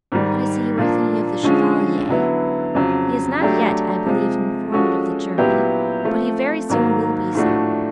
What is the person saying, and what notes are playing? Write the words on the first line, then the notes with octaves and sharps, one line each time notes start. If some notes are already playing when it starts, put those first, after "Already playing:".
But I see you are thinking of the Chevalier; he is not yet, I believe, informed of the journey, but he very soon will be so.
G#2 D#3 G3
A#2 F3 A#3 D4
D3 F3 G#3 C#4
D3 F#3 B3 E4
F2 C#3 F#3
F#3 A3 D4 G4
C3 F3 G#3
F3 G#3 C#4 F#4 A4
A#2 F#3 B3 E4 G4
F3 A3 C4
G#2 D#3 F#3 A#3
A2 F3 A3 D4 F#4